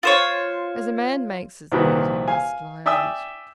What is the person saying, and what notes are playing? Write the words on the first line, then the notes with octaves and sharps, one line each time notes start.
As a man makes his bed he must lie on it.
F4 C5 C#5
C2 A#2 D#3 F#4 B4
F5 G#5
D5 E5 G5 G#5 D#6 E6